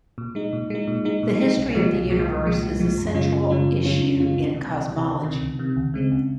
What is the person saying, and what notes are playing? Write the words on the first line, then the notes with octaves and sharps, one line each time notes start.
The history of the universe is a central issue in cosmology.
A#2
G#3 D#4
A#2
G#3 D#4
A#2
G#3 D#4
A#2
G#3 D#4
C2
A#2 F3 G#3
C2
A#2 F3 G#3
C2
A#2 F3 G#3
C2
A#2 F3 G#3
F#2
C#3 G#3 C#4 F4
F#2
C#3 G#3 C#4 F4
F#2
C#3 G#3 C#4 F4
F#2
C#3 G#3 C#4 F4
C#2
C3 D#3
C#2
C3 D#3
C#2
C3 D#3
C#2
C3 D#3
C#2
C#3 G#3 C4
C#2